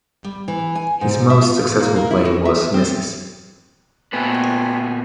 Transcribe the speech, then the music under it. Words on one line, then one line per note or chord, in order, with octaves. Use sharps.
His most successful play was Mrs.
G3
E3
G#5
G#2
E5
F4
A#3
A#3
E4
F#4
E5
C4
A#2 A3 B3 C4 B4 G#5